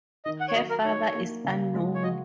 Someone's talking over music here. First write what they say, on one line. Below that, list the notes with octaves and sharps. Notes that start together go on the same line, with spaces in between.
Her father is unknown.
D#3 D#5
F#5
C#5
F#3 D#5
A#4
D#4 C#5
A#3
C#3
G#3
C#5
F#4 D#5